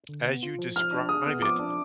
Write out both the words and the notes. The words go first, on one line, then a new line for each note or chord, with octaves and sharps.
as you describe it,
D3
B3
F4
F3
F3 F6
D4
G#4 D#6
B3
F3 D6
D4